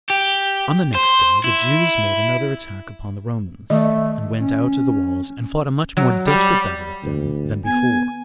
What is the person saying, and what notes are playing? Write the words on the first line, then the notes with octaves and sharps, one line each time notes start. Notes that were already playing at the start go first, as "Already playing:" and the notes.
On the next day the Jews made another attack upon the Romans, and went out of the walls and fought a much more desperate battle with them than before.
G4
C5
E4
D#3 A3 D#5
C#4
F#3
G3
D2
B3 G#5